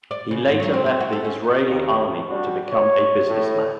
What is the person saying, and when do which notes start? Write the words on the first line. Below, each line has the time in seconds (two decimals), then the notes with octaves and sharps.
He later left the Israeli army to become a businessman.
0.11 D5
0.31 C#3
0.47 G#2
0.60 F#3
0.74 C4
0.86 C4
1.00 F#4
1.13 A4
1.25 C#4
1.67 D#2
2.29 G3 D4 F#4
2.70 C#5
3.27 A2